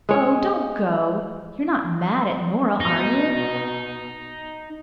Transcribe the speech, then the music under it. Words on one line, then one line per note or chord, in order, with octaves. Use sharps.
"Oh, don't go; you're not mad at Nora, are you?"
G#3 C#5
B2 D#4